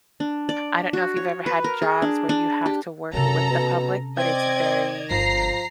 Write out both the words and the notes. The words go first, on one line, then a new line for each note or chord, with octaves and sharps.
I don't know if you've ever had jobs where you have to work with the public, but it's very
D4
D5
F#4
C#5
B4
A#4
G#4
D4
D4
G4
F#2 C3 C#4 A4 A#5
B2
C4 D5 D#5 G#6
G1 F3 A#5 A#6 C7